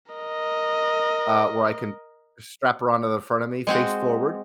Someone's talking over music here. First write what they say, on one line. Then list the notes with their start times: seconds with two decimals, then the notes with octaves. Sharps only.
Uh, where I can strap her onto the front of me, face forward.
0.12 A#4 D#5
3.67 G#3 C4 F#4